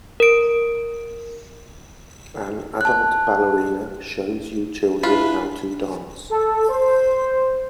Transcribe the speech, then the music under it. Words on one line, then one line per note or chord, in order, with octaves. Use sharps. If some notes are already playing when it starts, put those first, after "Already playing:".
An adult ballerina shows you children how to dance.
A#4 D7
A5 F#6
D4 E4 F4 B4
A4
C5